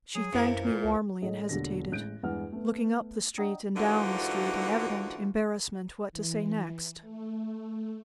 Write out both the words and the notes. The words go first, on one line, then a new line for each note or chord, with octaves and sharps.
She thanked me warmly, and hesitated, looking up the street and down the street in evident embarrassment what to say next.
F#3 G#4
F#2 C3 E3 A#3
A#2
C#2
A1 G#4 A4 C#5 D#5
E1 A#2 D3 G4 A#6
A1 G#3 F#6 G6 D7
E2 G2 G#3 B4 F#5 F6
A3 B3
D5 D#5 F#5 G5 A#5 D#6
G#2 D3 E3 D4 F4 F#4
E3
A3